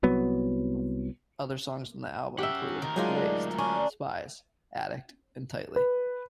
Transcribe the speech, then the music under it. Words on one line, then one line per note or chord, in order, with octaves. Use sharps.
Other songs on the album include "Waste", "Spies", "Addict" and "Tightly".
C2 F#3 B3
C#4 G4 E5 F#5
D2 D#3 A#4
F#3 G#3 D4 D#4 F4 G#4
C#4 D4
B4